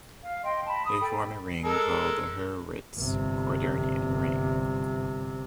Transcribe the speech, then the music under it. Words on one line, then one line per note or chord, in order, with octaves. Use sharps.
They form a ring called the Hurwitz quaternion ring.
F5
D#5 G5 C6
A5 B5
D#6
A4 G5 B5
G#3 A4 A#4
G1 C3